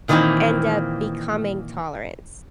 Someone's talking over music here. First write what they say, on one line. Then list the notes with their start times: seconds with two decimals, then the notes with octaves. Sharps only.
end up becoming tolerance,
0.08 A#2 D#3 E3 F#3 A#3 C4